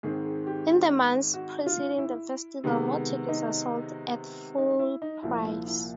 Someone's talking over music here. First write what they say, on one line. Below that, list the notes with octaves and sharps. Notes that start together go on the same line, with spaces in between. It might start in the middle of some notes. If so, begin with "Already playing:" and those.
In the months preceding the festival more tickets are sold at full price.
G#2 D#3 G#3 C4 G#4
G#4
G4
F#4
F4
E4
C3 D#3 G#3 B3
D#4
D#4
E4
D#4
C2 A#2 F3 E4
E4
E4